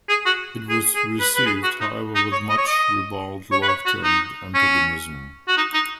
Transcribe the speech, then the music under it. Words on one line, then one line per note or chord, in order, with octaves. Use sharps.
It was received however with much ribald laughter and antagonism.
G#4
F#4
G#4
G#4
B4
B4
G#4
F#4
D#4
D#4
C#5
D#5
C#5
D#5
C#5
B4
C#5
F#4
D#4
C#4
F#4
D#4
D#4